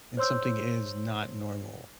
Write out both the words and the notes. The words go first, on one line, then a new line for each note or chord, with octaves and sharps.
and something is not normal,
C5 C#5 C6 E6 G6